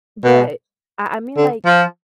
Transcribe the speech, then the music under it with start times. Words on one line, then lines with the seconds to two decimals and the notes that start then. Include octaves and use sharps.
But I I mean, like
0.24 B2
1.37 D3
1.65 F3